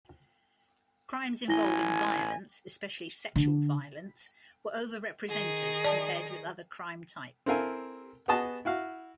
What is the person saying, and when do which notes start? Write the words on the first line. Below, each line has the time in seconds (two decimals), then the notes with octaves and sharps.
Crimes involving violence, especially sexual violence, were overrepresented compared with other crime types.
1.49 A1 E4 G#5 A#6 G7
3.36 D3
5.29 D#3 G#4 A#6
5.84 D5 A5
7.46 C4 E4 A4 A#4 F5 G#5
8.28 B3 F#4 G#4 D#5 A5
8.65 E4 F#4 F5